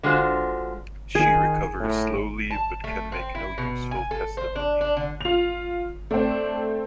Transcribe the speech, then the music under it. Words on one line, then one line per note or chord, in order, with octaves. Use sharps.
She recovers slowly but can make no useful testimony.
D3 G#3 F4 F#4 C5
D#3 G#4
A2
A5
A3
C4
E4
B2
G#5
A4
C5
D4
D4
D3
F4 F7
A3 C4 D4